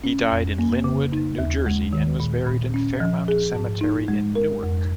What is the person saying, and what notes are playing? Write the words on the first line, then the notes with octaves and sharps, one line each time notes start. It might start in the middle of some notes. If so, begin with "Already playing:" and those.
He died in Linwood, New Jersey, and was buried in Fairmount Cemetery, in Newark.
C#4
F2
A#3
C#3
D#4
D#2
G#3
D#3
A#2
A#2
C#4
F3
G#4
G#2
D#4
G#3
A#4
F2